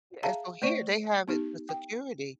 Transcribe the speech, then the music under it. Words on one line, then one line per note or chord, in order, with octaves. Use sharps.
Yeah, so here, they have it, the security.
G#4 E5 F5 A5 A#5
A3 C5 D5 C#6
B3 D#4 G4
G5